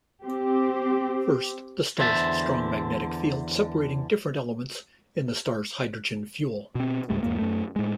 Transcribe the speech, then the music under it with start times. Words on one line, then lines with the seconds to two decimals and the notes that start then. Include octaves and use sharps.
First, the star's strong magnetic field separating different elements in the star's hydrogen 'fuel'.
0.24 C4 G4
1.99 E2 D3 C5 E5 G5 A5
6.75 B2 C4
7.10 C#2 G#2 G3 A3
7.23 E2 G#2 A#3
7.38 F#2 A3
7.76 A2 G#3